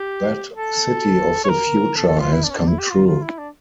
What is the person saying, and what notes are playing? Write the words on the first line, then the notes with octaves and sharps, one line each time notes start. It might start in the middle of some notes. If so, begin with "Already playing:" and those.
That city of the future has come true.
Already playing: G4
A4
C#5
A#4
A4
A4
F4
E4
D4
C#4
D4
E4
G4
F4
F4
E4
D4